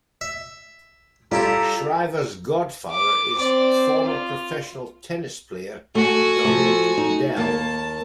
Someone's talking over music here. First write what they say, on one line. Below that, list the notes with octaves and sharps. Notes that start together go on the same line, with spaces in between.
Shriver's godfather is former professional tennis player Donald Dell.
E5
G3 E4 F4 G4 A4 A#5
D6
C4 D5
F4
A3 F#4 G#5
F3 A3
D#4
D#2 A#3 A5